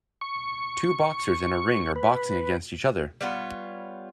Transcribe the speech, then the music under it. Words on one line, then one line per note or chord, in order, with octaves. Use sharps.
Two boxers in a ring are boxing against each other.
C#6
B4
G3 B3 F4 C#5